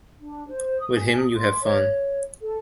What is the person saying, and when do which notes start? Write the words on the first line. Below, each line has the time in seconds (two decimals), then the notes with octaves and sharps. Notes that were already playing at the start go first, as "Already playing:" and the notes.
With him, you have fun.
0.19 D4
0.48 C5
0.79 D#6
0.96 G#5
1.15 D#6
1.35 C6
1.61 C#5
2.41 A4